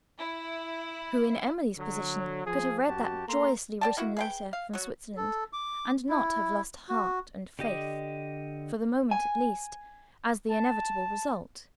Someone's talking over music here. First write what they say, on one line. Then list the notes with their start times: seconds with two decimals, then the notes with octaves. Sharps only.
Who, in Emily's position, could have read that joyously-written letter from Switzerland, and not have lost heart and faith, for the moment at least, as the inevitable result?
0.19 E4
1.78 D3 F#3
2.46 F3 G#4
2.87 F#2 F#4 G4 A5
3.28 A#3 A4 A#5 C6
3.81 D5 G5 A5
3.97 A#3 E4 F#4
4.17 G#4 B4 G5
4.53 F5
4.73 F#3 F#4
5.17 A4
5.53 D6
6.09 E4
6.89 F#4
7.59 D3 G4 D#5
9.11 G#5
10.51 A5